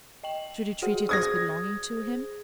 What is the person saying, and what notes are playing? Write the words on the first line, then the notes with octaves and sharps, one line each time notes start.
Should he treat it as belonging to him?
D#5 G5 F#7
F#4 G#4 F#5
G#4 C5 D#6 G#6 A#6